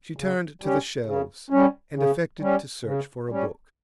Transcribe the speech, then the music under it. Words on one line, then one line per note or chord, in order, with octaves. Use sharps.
She turned to the shelves, and affected to search for a book.
C#3
G3 C#4
C#3
G3 C#4
C#3
G3 C#4
C#3
G3 C#4